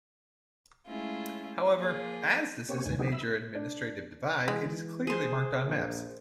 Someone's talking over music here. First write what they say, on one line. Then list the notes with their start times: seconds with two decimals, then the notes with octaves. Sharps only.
However, as this is a major administrative divide it is clearly marked on maps.
0.88 G#3 A3 C#4 E4 F4 G#4
1.75 F3 A#3 F4 G#4
2.69 A#3 C4 C#4 G4 C#5
2.86 D2 G#2 D#3 G#5
2.99 D3 F#3 B3 D#4 G4 G#4
3.12 E5 B5 E6
3.55 D4
4.48 E3 G#3
5.07 G#4 C5
5.66 A#1